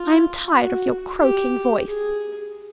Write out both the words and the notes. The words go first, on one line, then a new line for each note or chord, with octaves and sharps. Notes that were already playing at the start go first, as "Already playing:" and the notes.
I am tired of your croaking voice.
Already playing: F4
F#4
G4
G#4